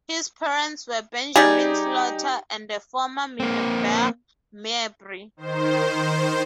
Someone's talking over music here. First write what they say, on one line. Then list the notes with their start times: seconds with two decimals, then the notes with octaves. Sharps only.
His parents were Benjamin Slaughter and the former Minerva Mabry.
1.36 G3 D#4 G4 G#4
3.40 A#3 C4
5.37 D#3 C5